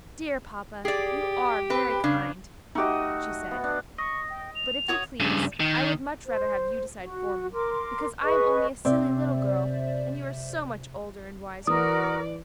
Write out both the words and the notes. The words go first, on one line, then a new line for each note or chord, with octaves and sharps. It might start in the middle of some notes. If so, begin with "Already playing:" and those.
"Dear papa, you are very kind," she said, "but if you please, I would much rather have you decide for me, because I am only a silly little girl, and you are so much older and wiser."
G4 G#4 D5
C4 B4
C#3 D4 F5
A3 D#4 F#4 G4 D#5
B3
D4
D#5 C#6
G5
F7
F#4 C#5 D#6
G2 C#3
D#3
C5
F#4
A#4 C6 D6
G#4 B4 D#5 C#6
C3 C4 C5 D5 E5
E3 F#4 A#4 D5 D#6